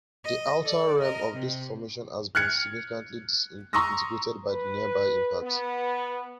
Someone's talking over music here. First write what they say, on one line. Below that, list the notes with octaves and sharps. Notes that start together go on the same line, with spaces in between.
The outer rim of this formation has been significantly disintegrated by the nearby impacts.
D#5
A4 D5
A#4 D#5
C3
F6 F#6 G#6 C#7
A#5 C6 C#6 D#6 E6 A#6
B4
B3